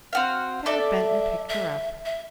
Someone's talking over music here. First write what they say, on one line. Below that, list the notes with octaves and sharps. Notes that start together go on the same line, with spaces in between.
Sara bent and picked her up.
C4 F#4 F5
A4 D5 E5
E5
E5